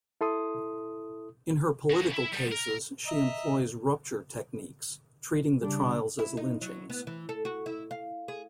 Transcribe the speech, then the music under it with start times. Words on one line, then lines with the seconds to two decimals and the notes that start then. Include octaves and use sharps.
In her political cases, she employs "rupture" techniques, treating the trials as lynchings.
0.21 E4 A4 C6 D#6
1.90 C#3 F#4
2.13 E4 E5
2.33 G3 B3
2.51 A#4
3.07 D#5 E5 A#5
5.63 C#3 G3 D4
6.19 E4
6.37 D#4
6.61 F#3
6.90 B3
7.07 E3
7.29 A4
7.45 F#4
7.66 E4
7.91 F5
8.28 G#4